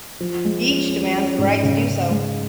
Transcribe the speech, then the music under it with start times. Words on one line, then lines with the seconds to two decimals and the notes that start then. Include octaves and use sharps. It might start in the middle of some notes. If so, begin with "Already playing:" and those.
Each demands the right to do so.
0.20 F3
0.45 G#3
0.68 C#4
0.92 C#4
1.16 C#4
1.38 G#2
1.63 C#3
1.86 C#3
2.11 G#3